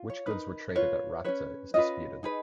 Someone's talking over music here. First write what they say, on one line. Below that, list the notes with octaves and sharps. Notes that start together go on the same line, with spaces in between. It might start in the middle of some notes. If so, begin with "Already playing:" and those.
Which goods were traded at Rhapta is disputed.
Already playing: F4
C#5
D#4 A#4 B4
F4 B4 C#5
C#4 F#4 B4 C#5
C#4 F4 B4 D#5
D#4 G#4 B4